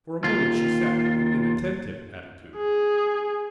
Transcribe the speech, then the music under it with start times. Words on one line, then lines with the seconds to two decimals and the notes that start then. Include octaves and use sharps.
For a moment she sat in an attentive attitude.
0.24 D#2 F4
2.57 G#4